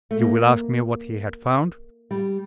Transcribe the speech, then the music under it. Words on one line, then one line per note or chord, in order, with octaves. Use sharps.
You will ask me what he had found?
A3
A#3
G3